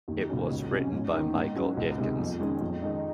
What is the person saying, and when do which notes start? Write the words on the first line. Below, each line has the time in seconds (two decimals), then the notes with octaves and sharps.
It was written by Michael Aitkens.
0.08 D#2
0.29 C#3 F#3 C#4
0.51 C#2
0.71 C3 F#3 C#4
0.93 G#2
1.13 D#3 A#3
1.34 G#2
1.56 F#3 C#4
1.77 C#2
1.98 C3 D#3 G#3
2.19 F2
2.40 D#3 G#3 C#4
2.61 F2
2.82 D#3 G#3 D#4